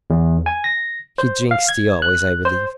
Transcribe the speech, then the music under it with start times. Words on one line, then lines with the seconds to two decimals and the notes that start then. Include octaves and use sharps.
She drinks tea always, I believe.
0.10 E2
0.46 G#5
0.64 A#6
1.18 C5
1.51 F5
1.69 G#6
2.02 F#6
2.45 C5